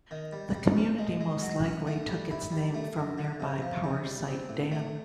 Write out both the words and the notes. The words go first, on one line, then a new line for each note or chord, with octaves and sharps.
The community most likely took its name from nearby Powersite Dam.
D#3
G3
G3
C#4
G#3
G#3
F#3
C#4
A3
G3
E4
G3
A3
F#2
D3
C3
F3
C3
G3
C4
A2
A3